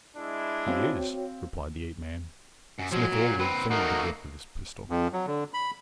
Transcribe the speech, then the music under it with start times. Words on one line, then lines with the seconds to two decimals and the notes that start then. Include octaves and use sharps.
"He is," replied the ape-man. Smith-Oldwick fingered the grip of his pistol.
0.17 G#3 D4 E4
0.67 C4 F#4 C#5 F5 G5
2.79 F#2
2.92 F3 F#3 G#3
3.13 A#2
3.39 C4 B4
3.71 A3 A#3 D#4 F#4 A#4
4.90 F2
5.13 F#3
5.27 D3
5.54 B5